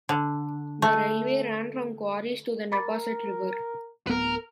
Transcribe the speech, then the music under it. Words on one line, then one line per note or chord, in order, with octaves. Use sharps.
The railway ran from quarries to the Neponset River.
D3
A3
A#4 B5 D6 A6
D1 B3 A#4 B4